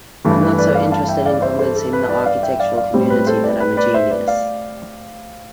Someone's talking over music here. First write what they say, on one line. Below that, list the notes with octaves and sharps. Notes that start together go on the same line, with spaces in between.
I'm not so interested in convincing the architectural community that I'm a genius.
G2 E3 A3 A4
B4
B4 D5
D5 F5
F5 A5
E5 G5
D5 F5
C5 E5
A4 C5
A4
B4
B4 D5
D5 F5
E5 G5
D5 F5
D5 F5
A2 G3 C4
B4
A4 C5
B4 D5
B4
B4 D5
C5 E5
B4 D5
D5 F5